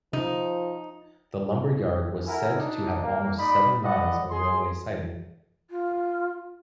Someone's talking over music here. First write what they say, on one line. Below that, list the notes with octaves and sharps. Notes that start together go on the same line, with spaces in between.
The lumber yard was said to have almost seven miles of railway siding.
C3 F3 D#4
E4 A#4 F#5 G#5
D4 D#4
A#3
D#4 D5 B5
D5 D#5 F#5 B5
G#4 C6
F4